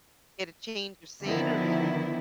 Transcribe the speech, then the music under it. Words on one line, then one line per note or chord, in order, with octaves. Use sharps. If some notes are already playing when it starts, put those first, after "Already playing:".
get a change of scenery,
D3 D#3 F3 B3 E4